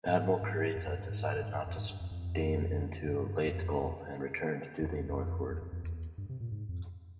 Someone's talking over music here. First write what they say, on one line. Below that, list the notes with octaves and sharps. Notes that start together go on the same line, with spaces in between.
Admiral Kurita decided not to steam into Leyte Gulf and returned to the northward.
G#2
G#2
F2
F2
G2
G#2
G2
G#2
G2
F2
G#2
G2
F2
F2
F2
G2
F2
E2
E2
E2
F2
E2
F2
F2
E2
G2
C3
A#2
G#2
F2